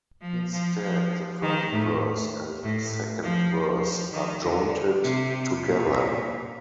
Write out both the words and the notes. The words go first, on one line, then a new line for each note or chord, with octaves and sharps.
Instead, the first verse and second verse are jointed together.
F3
F3
F3
D#3
A2
A2
F3
F3
D#3
D3
C3
A#2